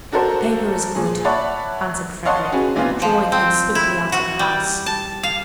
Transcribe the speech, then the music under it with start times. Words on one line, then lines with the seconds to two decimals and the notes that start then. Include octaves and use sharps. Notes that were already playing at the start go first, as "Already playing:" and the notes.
"The paper is good," answered Frederick, drawing him swiftly out of the house.
0.12 D4 F#4 A4 A#4 C5
0.95 A#2 G#4
1.24 C#5 D5 E5 F#5 A5 B5
2.25 C#5 D#5 F5 F#5 A5 C6
2.52 C#4 F#4 G#4 B4
2.75 A#2 E3 B3 C4 F4
3.02 F3
3.32 C4
3.75 E4
4.12 F#4
4.39 G3
4.86 A5
5.23 F5